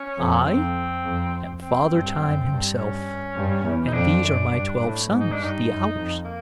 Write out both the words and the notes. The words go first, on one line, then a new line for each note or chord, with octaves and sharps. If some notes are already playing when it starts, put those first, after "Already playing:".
I am Father Time himself, and these are my twelve sons, the Hours.
Already playing: C#4
F2
F2 C4
F2
C4
G2
F#2
G2
C#4
G2
E2
D#4
F2 D4
F#2
G2
A2
G#2
D#4
D4
G2
D#4
F#2
F2
A#3